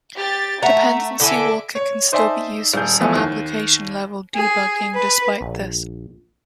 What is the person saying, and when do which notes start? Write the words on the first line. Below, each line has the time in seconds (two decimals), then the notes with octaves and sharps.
Dependency Walker can still be used for some application level debugging despite this.
0.17 G4 A6
0.63 A3 E5 F#5 A#5
1.20 D3 E4 A4 G#5 D6
1.75 C#5
2.12 D#4 C5 D5 E5 G#5 A5
2.74 D#1 G#4 G6
3.00 E2 E3 F3 A3 B3 E4
3.16 D#2
4.36 G#4
4.96 B4
5.41 A#1